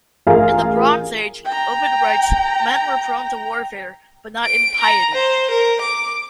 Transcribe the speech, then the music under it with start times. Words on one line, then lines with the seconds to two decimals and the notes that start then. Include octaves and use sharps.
In the Bronze Age, Ovid writes, men were prone to warfare, but not impiety.
0.26 A1 F4 G#4 A#4 F5 G#5
1.45 G5 A#5
4.45 D7
4.81 A#5
5.15 C5
5.51 A#4
5.81 D6